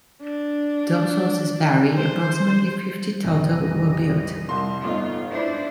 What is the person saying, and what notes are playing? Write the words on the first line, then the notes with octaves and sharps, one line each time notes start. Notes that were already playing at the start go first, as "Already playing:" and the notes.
Though sources vary, approximately fifty total were built.
D4
C5
A#1 F2 C3 G3 D#5
C2 C6
G1 A3 D#4 F4
D4 E4 C5